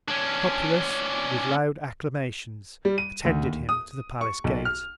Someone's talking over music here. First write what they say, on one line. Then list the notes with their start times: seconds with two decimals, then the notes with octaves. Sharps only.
The Populace with loud Acclamations attended him to the Palace-Gate.
0.08 C#4 D4
2.85 G3
2.98 D#7
3.25 D2
3.43 D#2
3.69 D#6
4.21 C#6
4.44 B1
4.65 F6